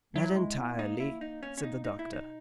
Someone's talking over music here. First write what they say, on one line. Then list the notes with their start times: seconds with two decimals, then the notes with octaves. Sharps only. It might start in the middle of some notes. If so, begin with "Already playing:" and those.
"Not entirely," said the doctor.
0.16 F#3 E4
0.36 G#3
0.58 B3
0.79 A#3 D#4
1.00 E4
1.21 D#4
1.43 C#4
1.57 C#4
1.64 D#4
1.85 D#4
1.99 E4
2.06 B2
2.13 D#4